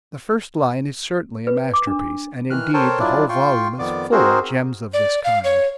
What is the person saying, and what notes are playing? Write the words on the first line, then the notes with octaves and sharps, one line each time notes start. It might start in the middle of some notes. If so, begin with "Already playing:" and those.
The first line is certainly a masterpiece, and, indeed, the whole volume is full of gems of this kind.
B4
D6
D4
D#3 E3 F6 F#6
A4 A#4 C5 C#5 G5 A5
F#3 D4 E4 F4 D5
F4 G5 C6 C#6
F2 D#3 B3 D5 D6
C4 D#4 F#4 G#4 A#4 C5
D5
F5
C#5